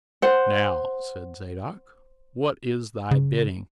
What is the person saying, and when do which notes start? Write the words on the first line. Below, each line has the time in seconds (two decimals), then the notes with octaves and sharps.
"Now," said Zadok, "what is thy bidding?"
0.22 C5 F#5
3.11 C#3